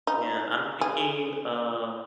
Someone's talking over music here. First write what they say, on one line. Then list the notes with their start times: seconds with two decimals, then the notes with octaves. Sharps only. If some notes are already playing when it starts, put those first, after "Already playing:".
Yeah, I'm thinking uh
0.07 D#4
0.81 G#4